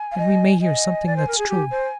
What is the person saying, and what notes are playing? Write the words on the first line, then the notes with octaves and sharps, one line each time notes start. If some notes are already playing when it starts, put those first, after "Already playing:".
And we may hear something that's true.
Already playing: G#5
F5
D#5
D#5 G#5
D5
C5
A#4
G#4
G4
C5